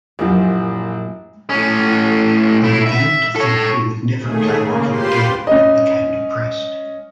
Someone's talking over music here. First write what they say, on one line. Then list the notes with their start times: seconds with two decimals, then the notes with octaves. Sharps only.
He began to think he would never play hockey again and became depressed.
0.19 A#1 F#2 A#2 E3 F3 G4
1.50 A2 C#4
2.64 A3 E4
2.86 E5
3.36 A4 C#5
4.19 D#2 A3 G#4
4.52 C#3 A#3
4.88 F4 G4 B4 C5 C6
5.47 C#4 D#5